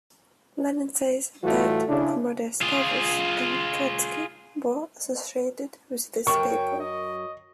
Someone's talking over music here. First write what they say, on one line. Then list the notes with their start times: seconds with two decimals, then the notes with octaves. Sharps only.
Lenin says that "Comrades Parvus and Trotsky" were associated with this paper.
1.43 A2 E3 G3 A3 F4 F#4
1.87 C#3 D4 E4
2.62 F4 G#4
6.27 F#2 F#3 A#4 G5 C#6
6.80 D#5